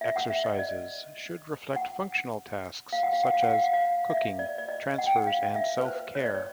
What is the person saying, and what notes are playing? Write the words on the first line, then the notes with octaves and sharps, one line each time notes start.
Exercises should reflect functional tasks such as cooking, transfers and self-care.
E5
F#5
E5
D#5
D5
F#5
F5
F#5
F5
F#5
F5
F#5
F5
F#5
F5
E5
D5
D5
D#5
F#5
G5
F#5
F5
E5
B4
C5
C#5
D5
C#5